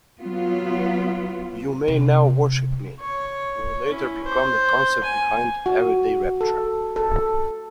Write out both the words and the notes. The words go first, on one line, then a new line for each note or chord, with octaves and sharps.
"You May Now Worship Me" would later become the concept behind "Everyday Rapture".
F#3 B3 F4
C3
C#5
C#4 E4
C5
G#5
F#4
A4
A4